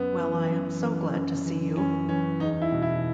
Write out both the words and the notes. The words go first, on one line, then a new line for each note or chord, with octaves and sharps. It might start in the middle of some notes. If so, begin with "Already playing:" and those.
Well, I am so glad to see you.
Already playing: F#2 B3
E3
F#2
E3
F#2
E3
F#2 C#4
E3 C#4
E2 D#4
E4
B2
E4